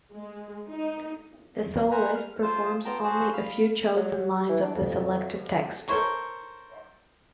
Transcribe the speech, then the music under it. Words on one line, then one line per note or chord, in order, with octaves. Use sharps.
The soloist performs only a few chosen lines of the selected text.
G#3
D#4
C5 F#5 G#5 A#5 B5
F6
F4 C5 A5
B3 F4 G5 A5 A#5
F#4 G#4 C5 A5
F5 B5
F#3
E3
D4
F2
A4 A#4 C5 C#5 C#6